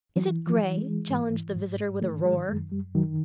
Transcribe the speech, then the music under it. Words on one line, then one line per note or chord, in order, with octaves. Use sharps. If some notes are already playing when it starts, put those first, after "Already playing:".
"Is it grey!" challenged the visitor, with a roar.
E3 F#3
F3
E3
G#3
G#2
G#2
D#3 A3
G#3
F#2 G#3
G3
D#3 F#3